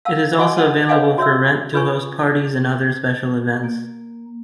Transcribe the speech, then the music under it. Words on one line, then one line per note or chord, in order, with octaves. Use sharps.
It is also available for rent to host parties and other special events.
F5 F#5 A5 E6
F#4 D#5 F#5 G#5
G#4 A4 F#5 A5
B4 C#5 D#5 F5 F#5 G#5
F#4 C#5 E5 E6
F4 G#4 B4 C#5 G#5 C#6
A#3